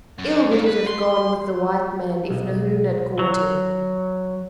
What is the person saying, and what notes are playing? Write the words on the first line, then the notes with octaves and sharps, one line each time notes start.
Ill would it have gone with the white man if Nahoon had caught him.
F#2
A#2
B4
C6
B1
F#3